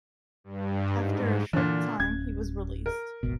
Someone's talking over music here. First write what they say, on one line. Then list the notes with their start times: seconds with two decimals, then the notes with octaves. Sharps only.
After a short time he was released.
0.44 G2
0.93 G#2
1.53 A#2 D3 E3
2.00 D1 C#4 G#6
2.86 A#4
3.23 D#1 G#1 B2